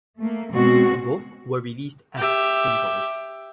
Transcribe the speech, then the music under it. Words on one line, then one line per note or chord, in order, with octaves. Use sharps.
Both were released as singles.
A3 A#3
B2 G#3 C4 C#4 F#4
G4 E5